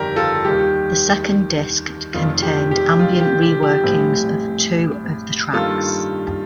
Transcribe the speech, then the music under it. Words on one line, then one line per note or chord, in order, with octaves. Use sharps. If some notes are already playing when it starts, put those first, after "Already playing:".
The second disc contained ambient re-workings of two of the tracks.
Already playing: G1 F2 D#3 G4 A#4 D5
F4 A4
D#2 D#3 G3 G4
F1 F2 D#3 F4
G4
G4
F4
F4
G4
G4
G4
A#1 A2 G3 C4
G2 D#3 G3 A#3 F4 A4